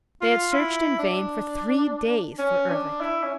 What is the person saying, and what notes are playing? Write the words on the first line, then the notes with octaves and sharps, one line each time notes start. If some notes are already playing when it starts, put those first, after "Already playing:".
They had searched in vain for three days for Ervic.
F4
E4
D4
C#4
D4
E4
C#4